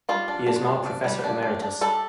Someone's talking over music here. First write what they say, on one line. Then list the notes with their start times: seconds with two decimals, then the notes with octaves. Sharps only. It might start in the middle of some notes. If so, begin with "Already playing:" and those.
He is now professor emeritus.
0.09 G3 F4
0.28 D4
0.46 D4
0.67 D4
0.86 D4
1.04 G3
1.24 D4
1.43 D4
1.62 D4
1.81 G3 A4